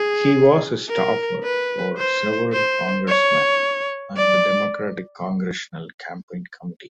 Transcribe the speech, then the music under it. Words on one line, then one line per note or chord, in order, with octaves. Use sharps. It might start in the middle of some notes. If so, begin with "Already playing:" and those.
He was a staffer for several congressmen and the Democratic Congressional Campaign Committee.
Already playing: G#4
A#4
B4
C5
C5
C#5
D5